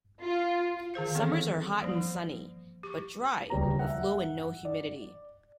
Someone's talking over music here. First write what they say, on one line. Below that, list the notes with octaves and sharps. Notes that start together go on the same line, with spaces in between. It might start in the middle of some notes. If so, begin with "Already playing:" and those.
Summers are hot and sunny, but dry, with low or no humidity.
F4
D#3 G#4 C5 F5
E3 B3 C4 A4 C#5
F3 G3 A#3
G4 C#6
D#1 C#3 G3 C#4 B4 A#5
E5 F#5
D5